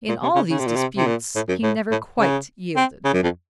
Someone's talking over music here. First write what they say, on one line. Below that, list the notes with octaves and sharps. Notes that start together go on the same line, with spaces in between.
In all these disputes he never quite yielded.
A#2
C3
C#3
C#3
C3
A#2
C3
C3
A#2
A2
F#2
A2
A2
C#3
C4
C#3
F#2
F2